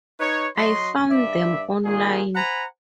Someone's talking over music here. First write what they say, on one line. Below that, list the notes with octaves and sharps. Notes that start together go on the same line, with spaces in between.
I found them online.
D#4 B4 C#5
F#3 F#4 D#5 C6
G2 D5 E5
A#2 D#3 G#4
C5 F#5 G#5 A#5 B5